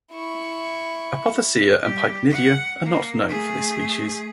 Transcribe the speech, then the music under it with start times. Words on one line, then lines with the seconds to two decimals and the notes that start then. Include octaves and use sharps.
Apothecia and pycnidia are not known for this species.
0.12 E4 C#6
1.83 G3 G4
2.30 F#5
2.84 A#3
3.28 A3 G#4